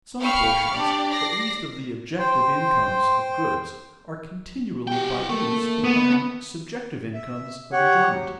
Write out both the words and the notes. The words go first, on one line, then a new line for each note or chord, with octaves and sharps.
Some portions at least of the objective incomes of goods are continually by use becoming subjective incomes of enjoyment.
F5 G5 B5 C#6 F6 C#7
D4 G4 D5
D5 A#6 C7
C5 G5 C6
G3 F#4 G5
A3 A#3
B3
E5
G4 C#5 F#5
F#3